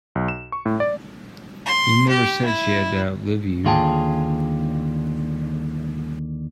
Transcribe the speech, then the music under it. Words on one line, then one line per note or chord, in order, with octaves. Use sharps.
You never said she had to outlive you.
B1
E7
C#6
A2
D5
C6
G4
E4
D#2 D3 F4 G#4 G5 A5